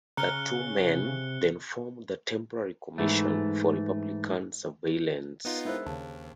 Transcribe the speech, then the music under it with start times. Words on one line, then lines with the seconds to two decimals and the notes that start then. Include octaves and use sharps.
The two men then formed the Temporary Commission for Republican Surveillance.
0.17 C#3 A#5 F6 F#6 C#7 G7
0.80 C3
2.98 G#2 E3 A3
5.45 B3 D#4 F4
5.65 G#3 D4 E4 A#4 C5
5.86 D#2 C#3 A5